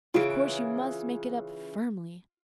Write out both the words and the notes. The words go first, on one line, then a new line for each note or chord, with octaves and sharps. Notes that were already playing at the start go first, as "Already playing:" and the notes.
Of course, you must make it up FIRMLY.
C#3 E3 F4 D7